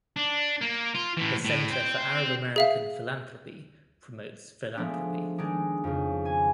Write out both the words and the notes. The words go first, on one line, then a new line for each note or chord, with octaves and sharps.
The Center for Arab-American Philanthropy promotes philanthropy.
D4
A#3
F4
A2 E3
A2
C4 G5
G#4 E5 F5
F3 G#3 A3 B3 D4
D#3 G#3 D4
F2 C#3
G#5